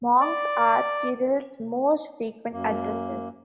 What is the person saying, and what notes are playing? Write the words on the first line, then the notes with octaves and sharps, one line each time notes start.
Monks are Kirill's most frequent addressees.
D5
F#2 A#3